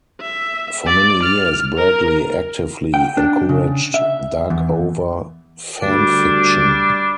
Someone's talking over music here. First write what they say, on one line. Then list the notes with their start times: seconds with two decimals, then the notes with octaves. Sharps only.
For many years, Bradley actively encouraged Darkover fan fiction.
0.21 E5
0.87 D5
1.23 F6
1.78 A#4
2.94 G5
3.17 D4
3.49 C#3
3.94 E5
4.50 E2
5.82 D2 G3 D4